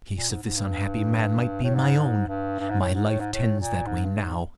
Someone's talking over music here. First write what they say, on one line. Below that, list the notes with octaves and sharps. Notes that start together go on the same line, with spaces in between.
The case of this unhappy man might be my own. My life tends that way, now.
A#2
G#2
G#2
G2
A2
G#2
G2
G2
G#2
A2
G#2
A2
G#2
A2
A#2
G#2
G2
G#2